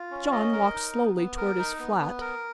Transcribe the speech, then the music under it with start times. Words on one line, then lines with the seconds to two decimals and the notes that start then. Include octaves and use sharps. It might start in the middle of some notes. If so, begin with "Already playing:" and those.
John walked slowly toward his flat.
Already playing: F4
0.11 C#4
0.32 D#5
0.52 A#4
0.74 D#4
0.95 B3
1.16 B3
1.37 A#4
1.59 D#4
1.79 B3
2.00 B3
2.21 A#4